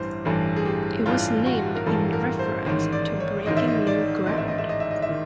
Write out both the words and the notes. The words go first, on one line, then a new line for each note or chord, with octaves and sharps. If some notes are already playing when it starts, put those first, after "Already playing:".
It was named in reference to breaking new ground.
Already playing: A1 G2 E3 C5
A1 G2 E3 A4
G#4
G4
A1 G2 E3 F4
F#4
A#4
A1 G2 E3 A4
A#4
C5
A1 G#2 D#3 C#5
D5
C#5
A1 G#2 D#3 D#5
E5
D#5
D5
A1 G#2 D#3 D#5
E5
D#5
E5
D#5
E5
D#5
E5
D#3